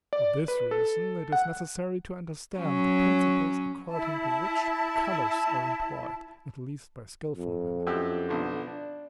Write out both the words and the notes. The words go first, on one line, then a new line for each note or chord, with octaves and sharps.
For this reason, it is necessary to understand the principles according to which colors are employed at least by skilful women.
D5
B4
A4
F#5
F#3 C#4
E4 A5
F2
F#2 G4 E6
B1 D3
D4